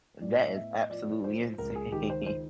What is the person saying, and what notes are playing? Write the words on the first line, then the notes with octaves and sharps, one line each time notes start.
That is absolutely insane.
A2 D5
D#5
B3 E5
D#5
F3 D5
F3 C5
C#2 A#4
G#4
D#3 G4
C5
C5